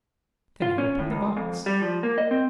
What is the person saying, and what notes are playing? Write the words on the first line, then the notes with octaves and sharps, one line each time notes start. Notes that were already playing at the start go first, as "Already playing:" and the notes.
Then he opened the box.
F4
C#4
A2
C#2
F2
G3
F3
A#3
D#5
C4